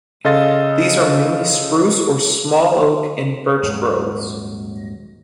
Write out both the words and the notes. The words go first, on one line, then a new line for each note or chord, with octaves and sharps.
These are mainly spruce or small oak and birch groves.
C#3 A4 D#5 F5 C6 A6
D#1 G#2 F#3